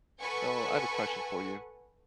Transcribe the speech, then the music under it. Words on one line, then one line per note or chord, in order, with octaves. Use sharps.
So, I have a question for you.
A4 B4 F#5 G#5 C#6